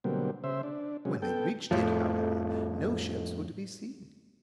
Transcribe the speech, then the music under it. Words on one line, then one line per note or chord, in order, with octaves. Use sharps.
When they reached it, however, no ships were to be seen.
B2 D3 F#3 G3 A#3 C4
C#3 C5 E5
D4
C3 F#3 G#3 C#4
B3 A4 G5
F2 A2 F3